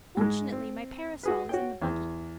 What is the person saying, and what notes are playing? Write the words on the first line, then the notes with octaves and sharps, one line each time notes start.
Fortunately my parasol is in the buggy.
G#2 G#3
C4
F#4 G#4 B4
F#4 C#5 G5
E2